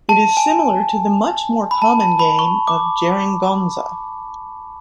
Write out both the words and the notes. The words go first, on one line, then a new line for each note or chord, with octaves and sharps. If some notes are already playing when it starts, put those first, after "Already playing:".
It is similar to the much more common game of "jeringonza".
A5
G#5
B5
A5
A5
B5
C#6
D6